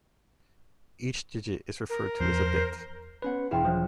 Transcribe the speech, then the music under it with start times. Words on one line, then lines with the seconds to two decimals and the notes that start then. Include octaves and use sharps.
Each digit is referred to as a bit.
1.90 A#4
2.20 E2 F3 C5
3.22 B3 C#4 B4 C5 F#5
3.51 E1 E4 G#4 F5 G5 C6 E7
3.65 F3 F#3 C5 E5 D#6